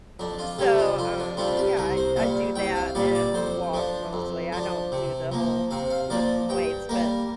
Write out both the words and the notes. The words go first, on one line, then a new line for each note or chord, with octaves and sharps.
So, um, yeah, I I do that and walk mostly, I don't do the whole lifting weights but
F2 D4
F4
C3 G3 D4 G4
F4
F2 F4
D4
C3 G3 D4 F4
G4
C2 A#4
C5
A#2 G3 F5
C2 G5
F5
A#2 G3 D5
D5
F2 C5
F3 D4
F2
F3 D4
C3
F3 A#3
C3 F5
F5
F3 A#3 D5
G2 G5
G3 A#3 A#4